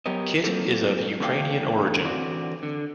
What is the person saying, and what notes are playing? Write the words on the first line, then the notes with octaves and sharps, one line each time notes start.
Kit is of Ukrainian origin.
F#3 B3 G4 A#4 C#5 D#5
F#3 A#3 C4 F4 A4
E2 D3 A3 D5 F5 G5
D3 E3 C4 F#4 D5
D3